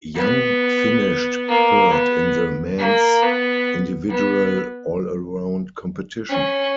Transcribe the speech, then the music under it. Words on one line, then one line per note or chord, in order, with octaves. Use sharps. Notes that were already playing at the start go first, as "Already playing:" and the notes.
Yang finished third in the men's individual all-around competition.
B3
A#3
B3
A#3
B3
B3
C#4